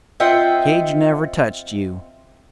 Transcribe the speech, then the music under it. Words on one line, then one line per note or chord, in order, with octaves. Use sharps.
Cage never touched you!
C4 F4 D#5 E5 F#5 G5